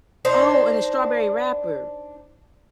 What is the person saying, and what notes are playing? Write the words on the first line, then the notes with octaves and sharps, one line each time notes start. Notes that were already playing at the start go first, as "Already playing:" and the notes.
Oh, in a strawberry wrapper.
D4 D#4 C5